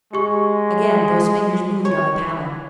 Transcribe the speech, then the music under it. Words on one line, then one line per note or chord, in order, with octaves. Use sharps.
Again those fingers moved on the panel.
G#3 G4 C#6
C#5